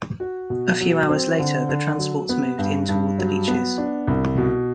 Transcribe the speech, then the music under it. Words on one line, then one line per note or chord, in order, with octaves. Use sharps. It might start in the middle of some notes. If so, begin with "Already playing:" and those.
A few hours later, the transports moved in toward the beaches.
F#4
B2
F#3
C4
D3
D3
F#3
B3
G2
G2
F#3
B3
D4
C2
B2